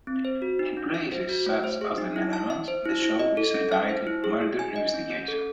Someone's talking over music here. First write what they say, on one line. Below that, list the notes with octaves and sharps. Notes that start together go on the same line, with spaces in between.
In places such as the Netherlands, the show is retitled "Murder Investigation".
C4
C5
F#4
D#4
C#4
E5
C5
F#4
A3
C5
G#4
D#4
E4
A5
E5
C5
E4
E4
D#5
A4
C#4
E5
C5
E4
G#4
G#4
G#5
D#5
C#4
C#4
A4